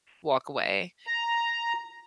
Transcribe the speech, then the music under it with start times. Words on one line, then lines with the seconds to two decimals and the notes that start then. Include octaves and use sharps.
walk away,
1.07 A#5